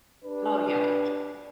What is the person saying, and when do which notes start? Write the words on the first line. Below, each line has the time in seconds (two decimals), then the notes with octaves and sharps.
Oh, yeah, yeah.
0.25 D4 G4 B4